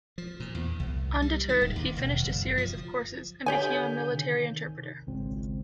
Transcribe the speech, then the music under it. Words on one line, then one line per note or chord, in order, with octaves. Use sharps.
Undeterred, he finished a series of courses and became a military interpreter.
F3
A#2
E2
C2
G3
D#3
D1
D#2
E1
F#1
F3
D3 G4 C#5 G#5 G6
C3 D#3
G#1 C#2 C4